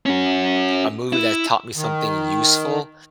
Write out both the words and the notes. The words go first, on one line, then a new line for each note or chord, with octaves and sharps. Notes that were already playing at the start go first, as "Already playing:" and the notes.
a movie that taught me something useful,
C#4 F#4
E4
D#3